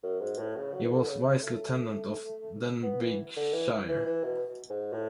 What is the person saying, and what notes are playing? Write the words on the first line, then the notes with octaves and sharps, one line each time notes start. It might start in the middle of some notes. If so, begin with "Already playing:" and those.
He was Vice-Lieutenant of Denbighshire.
F#2
G#2
A2
C#3
F#3
E3
D3
C#3
C#3
A3
B3
E3
D3
E3
E3
E3
B2
G#2
A2